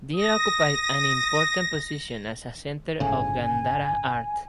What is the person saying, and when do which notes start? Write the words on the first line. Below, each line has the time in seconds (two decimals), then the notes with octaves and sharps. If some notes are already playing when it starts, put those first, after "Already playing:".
Dir occupied an important position as a centre of Gandhara Art.
0.16 D#6 A#6
3.00 G1 A2 C#3 G#5